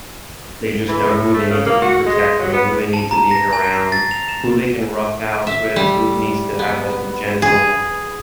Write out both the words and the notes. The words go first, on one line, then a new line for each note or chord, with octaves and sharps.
they just know who they need to be protecting, who they need to be around, who they can roughhouse with, who needs to have like a gentle
E3
A2
A3
C#3
A#3
F#4
G#3
F#3
B3
A5
A#5
A#6
G#5
C7
A6
F7
E7
E5
G3
B3
G#4